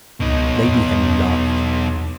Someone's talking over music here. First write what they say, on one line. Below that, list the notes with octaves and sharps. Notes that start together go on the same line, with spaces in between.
Lady Henry laughed.
C#2 B2 D#4
E2